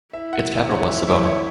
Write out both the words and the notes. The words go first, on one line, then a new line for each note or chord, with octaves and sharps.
Its capital was Savona.
E4 E5
F#5
E5
C#5
E5
E5
C#5